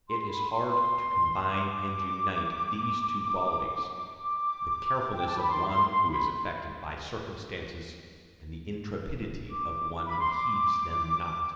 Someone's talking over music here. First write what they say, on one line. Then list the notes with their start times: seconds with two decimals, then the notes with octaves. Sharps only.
It is hard to combine and unite these two qualities, the carefulness of one who is affected by circumstances, and the intrepidity of one who heeds them not.
0.08 C6
0.28 B5
0.48 C6
0.68 C6
1.49 D6
3.89 D6
5.14 G5
5.26 A5
5.37 B5
5.49 C6
5.62 D6
5.69 C6
5.89 C6
6.09 B5
9.49 D6
10.06 B5
10.18 C6
10.29 D6